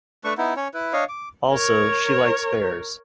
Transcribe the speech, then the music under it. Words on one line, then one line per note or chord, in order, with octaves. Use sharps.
Also, she likes bears.
A3 D4 B4 C#6
B3 D#4 E4
C#4 C#5
E4 B4
D4 C#5 D#5 F5
D6
A#4 C#5